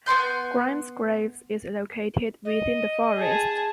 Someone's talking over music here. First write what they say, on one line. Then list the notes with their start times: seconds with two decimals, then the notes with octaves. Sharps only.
Grimes Graves is located within the forest.
0.06 B3 C4 C6 G6
2.45 D#5
3.17 G#4 A5